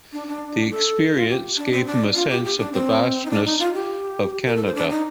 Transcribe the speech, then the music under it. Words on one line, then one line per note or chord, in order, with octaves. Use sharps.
The experience gave him a sense of the vastness of Canada.
D4
D4
A4
F4
G4
D4
C4
D4
F4
G4
G4
D4
C4
D#4
D4
D#4
F4
G4
A#4
A4
C5
D4
D#4